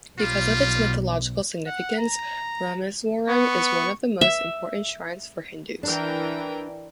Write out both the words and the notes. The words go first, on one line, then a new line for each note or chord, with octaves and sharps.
Because of its mythological significance, Rameswaram is one of the most important shrines for Hindus.
B1 G3 F4
F#5
A#5
B3 C#6
E5
E3 D4 A#4 G5